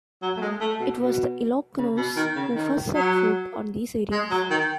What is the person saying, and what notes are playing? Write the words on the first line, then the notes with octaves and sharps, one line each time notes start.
It was the Ilocanos who first set foot on these areas.
F#3
A3
G#3
A3
B2
B2
C#3
B2
D#3
C#3
D#3
F#3
G#3
F#3
D#3